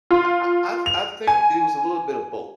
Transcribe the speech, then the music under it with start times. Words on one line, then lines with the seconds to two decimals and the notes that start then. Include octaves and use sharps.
I I I th I think it was a little bit of both,
0.11 F4
0.86 F7
1.27 G#5